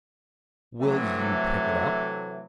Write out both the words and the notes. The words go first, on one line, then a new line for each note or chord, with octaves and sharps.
'Will you pick it up?'
C3 E3 F#3 A3